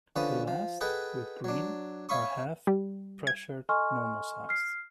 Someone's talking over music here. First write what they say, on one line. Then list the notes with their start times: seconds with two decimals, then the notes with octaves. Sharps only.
The last, with green, are half pressured normal sized.
0.16 D3 F3 C#4 B4 D#6
0.48 F3
0.81 G#4 A4 B4 D#5 F#5 G5
1.44 F#3 D4
2.09 C#5 E5 F5 B5 C#6 D#6
2.67 G3
3.27 G#6
3.69 A4 D#5 G#5 C6 C#6 F6
4.49 F6 C7